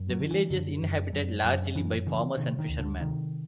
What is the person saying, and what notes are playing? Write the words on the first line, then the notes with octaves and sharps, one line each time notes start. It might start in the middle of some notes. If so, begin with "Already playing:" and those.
The village is inhabited largely by farmers and fishermen.
Already playing: F#2
F#3
D3
E3
F#2 D3
F#2
F#2
F#2
F#2 E3
C#3 E3
C3 D#3
D#3
D2
D3
C3 D#3